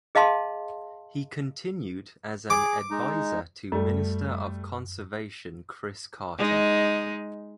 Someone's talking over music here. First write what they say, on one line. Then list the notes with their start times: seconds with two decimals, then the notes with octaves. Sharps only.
He continued as an adviser to Minister of Conservation Chris Carter.
0.15 G#4 D#5 F5 A5 C6
2.50 G#4 D6
2.91 G#3 D#4
3.72 F#2 G3 A3
6.38 G#3 D#4